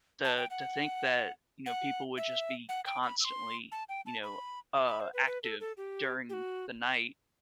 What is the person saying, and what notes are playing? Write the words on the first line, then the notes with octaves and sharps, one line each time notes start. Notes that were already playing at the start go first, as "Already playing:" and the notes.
The to think that, you know, people would just be constantly, you know, uh, active during the night,
A5
G5
F#5
F#5
E5
F#5
G5
B5
E6
C6
A5
G5
A5
B5
B5
C5
B4
B4
A4
A4
G4
G4
F#4